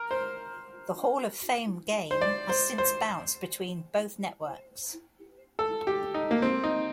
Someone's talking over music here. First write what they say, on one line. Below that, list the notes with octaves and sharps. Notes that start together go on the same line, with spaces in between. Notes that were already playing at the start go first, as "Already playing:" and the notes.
The Hall of Fame Game has since bounced between both networks.
Already playing: A#4
C5
C5
D5
C5
C5
A4
G4
D#4
A#3
C4
D#4